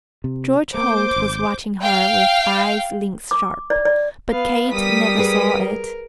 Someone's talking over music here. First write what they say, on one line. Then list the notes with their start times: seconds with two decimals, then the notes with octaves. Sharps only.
George Holt was watching her with eyes lynx-sharp, but Kate never saw it.
0.24 C3
0.74 A3 A#3 C5 D6 G6
1.16 G#1
1.82 F5 G5
3.31 D6
3.70 D5
3.85 D5
4.30 B3 F5
4.73 G3 A#4 D#6 B6
5.18 G#4 B4